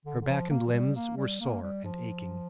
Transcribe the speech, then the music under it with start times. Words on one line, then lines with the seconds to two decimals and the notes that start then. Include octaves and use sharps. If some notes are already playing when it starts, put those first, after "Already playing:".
Her back and limbs were sore and aching.
0.05 D3
0.21 D3
0.27 F3
0.50 A#3
0.67 F3
0.73 G3
0.96 A#3
1.17 G3
1.41 A#3
1.62 G3
1.85 F3